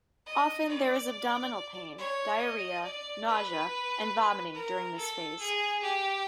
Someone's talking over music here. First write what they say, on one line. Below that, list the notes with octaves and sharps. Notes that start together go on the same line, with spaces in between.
Often there is abdominal pain, diarrhea, nausea and vomiting during this phase.
D#5
D5
C#5
D#5
D5
B4
A#4
A4
G#4
G4